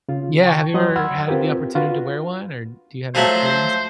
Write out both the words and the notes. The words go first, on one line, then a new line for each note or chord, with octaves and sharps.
yeah, have you ever had the opportunity to wear one or do you have any experience?
C#3 F4
G5 A5 C#6
F#3 D#5 C6 D#6
F#5 B5 C6 E6 F6 G#6
C4 F4 G4 A#4 B4
D4 F4 F#4 B4
F3 F#3 A3 C5